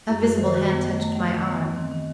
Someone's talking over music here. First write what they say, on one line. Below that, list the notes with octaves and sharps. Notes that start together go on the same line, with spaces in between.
A visible hand touched my arm.
F#2 E4
F#2 F#4
D#3 C5
D#3 F#4
F#2 B3
D#3 A3
F#2 A3
D#2 A3
D#3
D#3 B3
D#2
D#3 C4
D#3